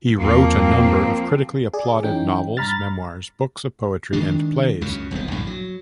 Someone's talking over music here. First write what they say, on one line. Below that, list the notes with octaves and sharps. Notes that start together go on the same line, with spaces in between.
He wrote a number of critically applauded novels, memoirs, books of poetry, and plays.
E2 F3 A#3 C4
G#4 D5
E3 C#4 D#4 G5
G2 A#5 B5 F6 A6
D#3 G#3 D4
C#2 F#2 C#3
E1 C2 C#3 B3
A#1 G2 D3 E3
F#3